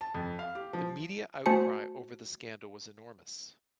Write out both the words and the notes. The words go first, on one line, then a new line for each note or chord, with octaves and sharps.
The media outcry over the scandal was enormous.
A5
F2
F5
G4
F3
A3 F#4 C5 G#5 A5 C#7